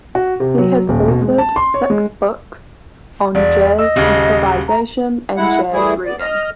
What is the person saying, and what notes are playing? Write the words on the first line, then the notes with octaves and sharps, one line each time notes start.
He has authored six books on jazz improvisation and jazz reading.
F#4
C3
F#3
D#1
B2
G#3
A5
C6
C#5
G#3
E1 D5
D#5 E6
D#1 C#3
A#5
G#3 E4 F#5
E3 G3 A3 E4 G#4
B3 D5
D#5 F6